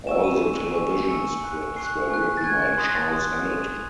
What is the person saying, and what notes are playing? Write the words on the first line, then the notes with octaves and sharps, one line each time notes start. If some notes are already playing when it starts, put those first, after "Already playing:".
All the television scripts were written by Charles Hamilton.
G#5 C#6 E6 E7
D#7
G#5 C#6 E6
G#5 C#6 E6
G#5 C#6 E6 C#7
G#5 C#6 F#6
G#5 C#6 F#6 C7
G#5 C#6 F#6
A6
G#5 C#6 F#6 G#6
C6 D#6 F#6
A6
C6 D#6 F#6